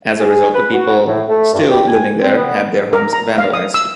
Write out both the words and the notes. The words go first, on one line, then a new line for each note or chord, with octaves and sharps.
As a result, the people still living there had their homes vandalized.
G#4
B4
F#4
A2
A3
G2
G4
G#5
C4
B3
A#4
A#5
F5
D#6
E6